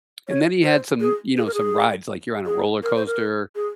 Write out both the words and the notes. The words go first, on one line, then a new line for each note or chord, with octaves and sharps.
and then he had some, you know, some rides, like you're on a roller coaster,
C#5
C5
G#4
G#4
A#4
G#4
G#4
A#4
C5
A#4
G#4